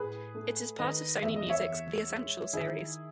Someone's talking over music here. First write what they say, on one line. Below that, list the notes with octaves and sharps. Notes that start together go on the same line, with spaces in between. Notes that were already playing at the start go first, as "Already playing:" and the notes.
It is part of Sony Music's "The Essential" series.
Already playing: A2 G#4 B4
A3
D#3 B4 D#5
E2 E5
D#5
C#5 E5
E2
G#3
D#3 E4 G#4